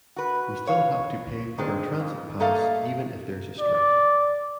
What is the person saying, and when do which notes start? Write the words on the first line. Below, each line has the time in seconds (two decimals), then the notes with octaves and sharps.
We still have to pay for our transit pass even if there's a strike.
0.16 F#4 B4
0.67 C#5 F5
1.58 D#3 G#3 C4 D4
2.00 F2
2.40 A3 A#3 A4 D#5 F5
3.60 D5